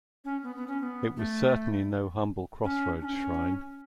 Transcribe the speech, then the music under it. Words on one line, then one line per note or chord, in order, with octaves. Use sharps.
It was certainly no humble crossroads shrine.
C#4
B3
B3
C#4
C#4
B3
A3
C#4
D4
C#4